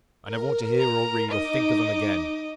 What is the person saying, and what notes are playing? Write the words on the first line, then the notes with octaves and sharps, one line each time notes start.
I never want to hear, or read, or think of them again!'
A#4
A#5
D#4 D#5 D6